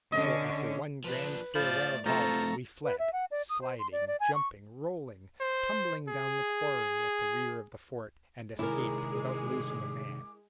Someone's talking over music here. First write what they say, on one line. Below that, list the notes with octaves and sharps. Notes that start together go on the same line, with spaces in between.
So, after one grand farewell volley, we fled, sliding, jumping, rolling, tumbling down the quarry at the rear of the fort, and escaped without losing a man.
D3 C#4 D#5
F3 D4 B4
F3 A3 D5 B5
F3 A3 C4 A4 A#5 C#6
B4
E5
F#5
D5
D#6
C5
C6
D5
D5
G#5
C#6
C5
G#4
C3 D#3 G#3 E4 G#4 A#4 G#5 D6